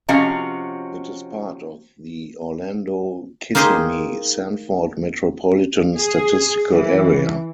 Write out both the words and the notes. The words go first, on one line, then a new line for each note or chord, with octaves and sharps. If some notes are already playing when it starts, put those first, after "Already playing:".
It is part of the Orlando-Kissimmee-Sanford Metropolitan Statistical Area.
C3 F3 C#4 F#4 D#5 F5
A#3 D#4 G4 G#4 C5 D#5
G#4
E3